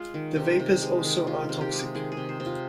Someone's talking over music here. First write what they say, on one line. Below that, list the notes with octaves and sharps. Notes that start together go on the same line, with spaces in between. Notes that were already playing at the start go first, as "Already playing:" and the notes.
The vapors also are toxic.
Already playing: G#3 F4
D#3
C3
C3
G#3
D#3
C3 F4
C3
G4
G#3
D#3 G#4
G#4
C3
C5
C3
F4